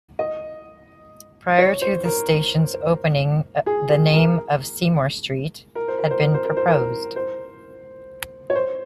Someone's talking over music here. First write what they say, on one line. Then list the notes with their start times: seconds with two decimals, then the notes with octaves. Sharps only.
Prior to the station's opening, the name of "Seymour Street" had been proposed.
0.19 D#5
1.58 C#5
1.82 C5
2.05 A#4
3.66 G#4
3.90 G#4
4.13 A#4
5.75 A#4
5.88 C5
5.99 A#4
6.11 C5
6.22 A#4
6.34 C5
6.45 A#4
6.57 C5
6.68 A#4
7.16 C5
8.50 C#5
8.55 C5